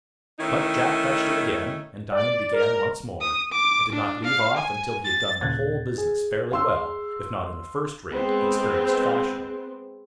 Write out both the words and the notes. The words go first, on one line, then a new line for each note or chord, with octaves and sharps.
But Jack fetched it again, and Diamond began once more, and did not leave off until he had done the whole business fairly well, if not in a first-rate, experienced fashion.
D#3 A3 C#4 D#4 E4
D5
A#4
D#6
D6
D4
F5
G#5
A6
D#2 A#2 C#3 F#6 G#6 A6
G#4
F5 C6 E6
G#3 B3 C4